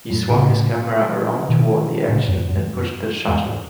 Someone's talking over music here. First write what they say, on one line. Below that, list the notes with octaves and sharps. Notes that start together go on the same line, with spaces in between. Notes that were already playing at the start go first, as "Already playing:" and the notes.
He swung his camera around toward the action and pushed the shutter.
F#2 A2
A2 C#3
B2 D#3
A2 C#3
F#2
F#2
E2 G#2